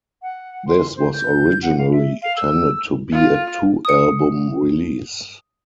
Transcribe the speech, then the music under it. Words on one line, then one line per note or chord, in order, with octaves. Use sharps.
This was originally intended to be a two album release.
F#5
C6
C5
G6
F#5
F5
E5
F5
E6
F4
D#6 C#7